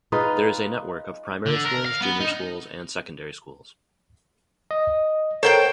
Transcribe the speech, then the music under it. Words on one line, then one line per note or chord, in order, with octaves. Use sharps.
There is a network of primary schools, junior schools and secondary schools.
D#4 F4 G#4 B4
D3
A#4
F5
B3
D#4
D#5
A4 A#4 C5 C#5 G5 G6